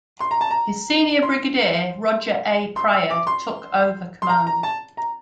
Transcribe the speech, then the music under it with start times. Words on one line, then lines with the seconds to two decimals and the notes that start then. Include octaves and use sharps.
His senior brigadier Roger A. Pryor took over command.
0.20 C6
0.31 A#5
0.41 A5
0.51 A#5
1.23 C6
2.76 C6
2.93 E6
3.10 D6
3.27 C6
4.22 C6
4.29 A#5
4.47 A#5
4.63 A5
4.97 A#5